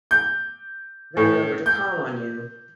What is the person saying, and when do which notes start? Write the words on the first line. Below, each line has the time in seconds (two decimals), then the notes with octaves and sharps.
Ran over to call on you.
0.11 G6
1.17 A2
1.66 G6